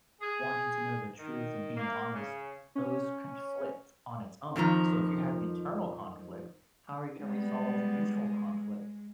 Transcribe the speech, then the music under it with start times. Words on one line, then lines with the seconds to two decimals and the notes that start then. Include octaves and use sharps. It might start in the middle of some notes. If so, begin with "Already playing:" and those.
wanting to know the truth and being honest, those conflict on its own. So, if you're having internal conflict, how are you gonna resolve mutual conflict?
0.20 G#4
1.19 D#3
1.77 A#3
2.13 C#3
2.75 C#4
4.56 F2 D#3 F3 A#5
7.18 G3 G#3 B3